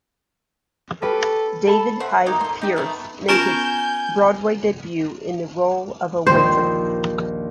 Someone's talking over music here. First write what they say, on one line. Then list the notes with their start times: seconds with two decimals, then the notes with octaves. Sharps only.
David Hyde Pierce made his Broadway debut in the role of a waiter.
1.02 C#4 G4 A4 B4
1.67 A4 A5 B5
2.00 C5 E5 F#5
2.26 A#3 D#4 F#4 G4
2.41 A4 C6
2.62 D#4 G4
2.76 A3 B3 D#4
3.29 B3 C#4 F4 A#4 G#5 A5 G6
6.27 A#1 D#2 D#3 C5